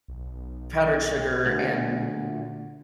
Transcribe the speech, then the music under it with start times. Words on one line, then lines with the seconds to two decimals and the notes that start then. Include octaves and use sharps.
powdered sugar and
0.08 B1
1.46 D2 A#2